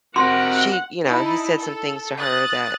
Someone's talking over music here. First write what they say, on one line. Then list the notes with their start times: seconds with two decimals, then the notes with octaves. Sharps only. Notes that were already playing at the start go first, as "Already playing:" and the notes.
she you know, he said some things to her that
0.16 C4 F#4 G4 A#4 F#5 C6
1.06 D#4 E4 A5
1.59 A4
2.20 D#6 F#6 A6